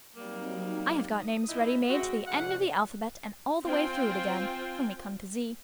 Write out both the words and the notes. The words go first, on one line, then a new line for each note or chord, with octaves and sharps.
I have got names ready made to the end of the alphabet, and all the way through it again, when we come to Z.'
F#3 G3 A#3 C4 D#4
D#6
A#2 D#4 E4 E5
G#3 C4 F#4
D2 G#2 C3 F3 D5 F#5
C4 F4 C5 G5 G#5